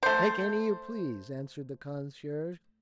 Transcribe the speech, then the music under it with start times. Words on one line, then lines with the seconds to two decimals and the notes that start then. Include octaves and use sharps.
"Take any you please," answered the concierge.
0.03 A3 C5